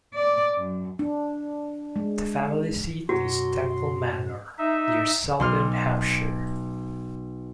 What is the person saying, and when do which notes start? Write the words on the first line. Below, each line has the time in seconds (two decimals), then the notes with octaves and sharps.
The family seat is Temple Manor, near Selborne, Hampshire.
0.14 D5
0.57 F#2
0.99 D4
1.96 G#3
3.09 F#2 B2 F#3 F#4 C6
4.58 D#4 E5
5.40 B1 C6 F6